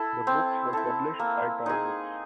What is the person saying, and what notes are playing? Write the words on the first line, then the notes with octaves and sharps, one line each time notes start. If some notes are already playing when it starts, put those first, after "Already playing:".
The books were published by Tor Books.
Already playing: E4 A4
C4
E4 A4
A#3
D#4 G#4